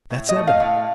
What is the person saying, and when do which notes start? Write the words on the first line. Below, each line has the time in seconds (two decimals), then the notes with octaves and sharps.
That's evident.
0.10 A2
0.29 D#5
0.36 A3
0.47 F5
0.60 A2